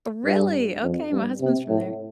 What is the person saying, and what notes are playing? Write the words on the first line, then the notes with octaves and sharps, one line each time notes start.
Really? Okay, my husband's from there.
G2
F2
G2
C3
A2